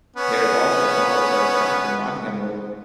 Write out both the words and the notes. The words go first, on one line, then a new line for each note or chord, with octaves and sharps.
There is also a smaller set of shops on Nottingham Road.
B3 C#4